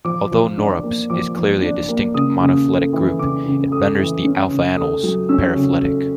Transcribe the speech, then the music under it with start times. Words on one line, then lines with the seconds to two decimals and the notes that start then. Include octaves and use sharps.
Although "Norops" is clearly a distinct, monophyletic group, it renders the "alpha anoles" paraphyletic.
0.05 F3 D6
0.31 F3
0.57 D4
0.83 A#3
1.10 F3 D6
1.36 F3
1.62 D4
1.89 A#3
2.14 C#3 D#6
2.41 C#3
2.67 A3
2.93 E3
3.19 C#3 D6
3.46 C#3
3.72 A3 D#6
3.99 E3
4.24 C#4
4.51 C#3
4.77 A3 D#6
5.03 F#3
5.29 C#4 E6
5.56 C#3
5.82 A3